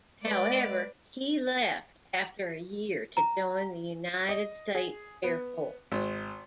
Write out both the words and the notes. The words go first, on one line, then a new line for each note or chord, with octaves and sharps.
However, he left after a year to join the United States Air Force.
G#3 B4 D5
A#5
D#5
G#4
B3
G#1